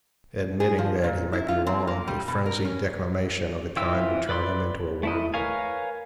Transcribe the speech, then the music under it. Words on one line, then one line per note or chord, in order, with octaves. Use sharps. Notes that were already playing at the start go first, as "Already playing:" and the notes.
Admitting that he might be wrong, a frenzied declamation of the kind would turn him into a worm.
G#4
F3
A#2
E4
F4
C4
A#3
G3
B2
A#4
C#4
E3 C4 E4 F4 E6
B4 D5 B5 C6
A3 E4 D#5
A#4 B4 C#5 F5 G#5